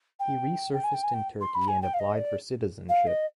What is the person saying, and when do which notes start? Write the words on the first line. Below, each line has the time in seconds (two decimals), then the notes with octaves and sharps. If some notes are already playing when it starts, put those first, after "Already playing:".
He resurfaced in Turkey and applied for citizenship.
0.19 G5
0.73 G5
0.83 G#5
0.94 G5
1.03 G#5
1.13 G5
1.40 C6
1.54 B5
1.68 G#5
1.81 G5
1.93 F5
1.99 D#5
2.17 D5
2.89 F5
3.07 D#5